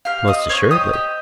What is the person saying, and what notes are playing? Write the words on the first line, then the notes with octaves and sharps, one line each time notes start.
Most assuredly.
G4 F5 F6
C4 D#5 D#6
C4 C#5 C#6
G4 D#5 D#6
G4